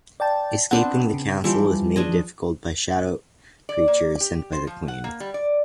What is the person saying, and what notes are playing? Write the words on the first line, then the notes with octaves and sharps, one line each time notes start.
Escaping the castle is made difficult by shadow creatures sent by the Queen.
D5 G5 A5
B3 C4 D4 F#5
C#3
E3 F3 G3 G4
F3 D4 G#4 D#5
D5
A#3
G4
C5
F3
F#5
A#3
G3
D5